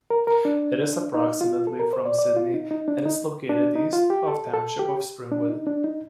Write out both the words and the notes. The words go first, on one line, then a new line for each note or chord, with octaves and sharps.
It is approximately from Sydney and is located east of the township of Springwood.
A#4
A#4
D4
D#4
F4
A4
A#4
C5
D5
D5
F4
D#4
D#4
D4
D#4
D4
D#4
F4
G4
A4
A4
G4
D4
D#4
D4
D#4